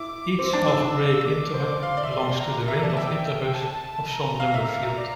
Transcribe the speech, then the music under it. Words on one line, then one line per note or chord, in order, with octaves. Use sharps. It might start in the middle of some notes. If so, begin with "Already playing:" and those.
Each algebraic integer belongs to the ring of integers of some number field.
Already playing: E4 D6
C4 D6
D4 D6
D4 E6
D4
D6
C5
D5
F5 C6
D5
E5
D5
A#5
A#5
E5 A#5
D5 A5
E5 G5
E5
A5
A#5
F5
E5
F5
E5
D5